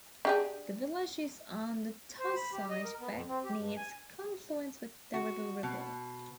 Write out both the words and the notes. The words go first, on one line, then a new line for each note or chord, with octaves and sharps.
The village is on the Tosside Beck, near its confluence with the River Ribble.
D4 G4 G#4
C5
B5
G4
D#5
A#4
B3
F2
C4
G4
G2
G#5
F#4
B2